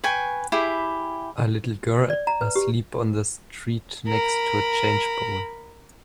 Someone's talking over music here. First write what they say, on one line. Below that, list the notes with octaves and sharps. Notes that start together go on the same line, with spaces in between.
A little girl asleep on the street next to a change bowl.
B4 G5 G#5 C#6
E4 G4 G#4 B5
D5
A#5
B4
G4
A#4 B5